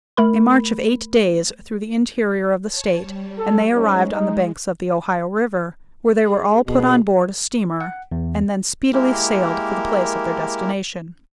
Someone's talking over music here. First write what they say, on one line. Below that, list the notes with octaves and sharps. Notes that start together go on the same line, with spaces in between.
A march of eight days through the interior of the state, and they arrived on the banks of the Ohio river, where they were all put on board a steamer, and then speedily sailed for the place of their destination.
A3 A#4 B5
C#5 A5
G3
A4
G#2 G#3 C#4
D#4
G#4
B2 G#4
F#5
E2
G#3 A#3 E4 G4 A#4